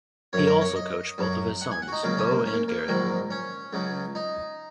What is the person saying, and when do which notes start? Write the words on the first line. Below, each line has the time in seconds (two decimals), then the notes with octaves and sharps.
He also coached both of his sons, Bo and Garrett.
0.33 F#2 F#3 C#5
0.47 A#4
0.61 C#5
0.76 D#5
1.18 F#2 F#3
1.61 F#5
1.71 G#5
1.82 F#5
1.88 F#4
1.92 D#4
2.03 C#2 C#3 F#3 A#3
2.17 C#4
2.31 A#3
2.45 C#4
2.53 A#3
2.68 A#3
2.88 A#1 G#2 D#3 F#3
3.30 C#4
3.73 C#2 C#3 F#3
4.15 D#4